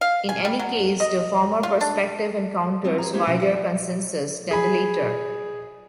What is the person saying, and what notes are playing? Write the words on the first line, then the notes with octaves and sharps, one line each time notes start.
In any case, the former perspective encounters wider consensus than the latter.
F5
G#5
G3
F#3
D#5
F4
D4
G3 C4 F4 F#5
G#4 A#5
A#3 D#4 G4 G#4 C5
B2 F3 C#4
F#2 E5 F#5
G#4 B5